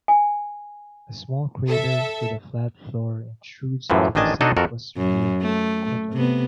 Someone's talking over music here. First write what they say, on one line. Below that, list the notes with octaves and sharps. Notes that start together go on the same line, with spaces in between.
A small crater with a flat floor intrudes into the southwestern rim of Quetelet.
G#5
A4 E5
F#2 A2 E3 F3
A1 D#3 D4 D#5 G#5 A5
D4 D#4 F#4 A4 C#5 D#5
F2 F#4 A4 A#4
F#2
A3
C3 B3